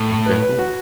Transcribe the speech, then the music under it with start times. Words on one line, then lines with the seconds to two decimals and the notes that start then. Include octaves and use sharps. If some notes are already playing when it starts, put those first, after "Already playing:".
Okay, cool.
Already playing: A2
0.26 B4
0.42 B4
0.59 F#4